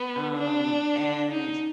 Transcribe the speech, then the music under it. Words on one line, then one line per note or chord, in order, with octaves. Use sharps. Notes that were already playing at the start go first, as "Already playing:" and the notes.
um, and,
Already playing: B3
D4
D#4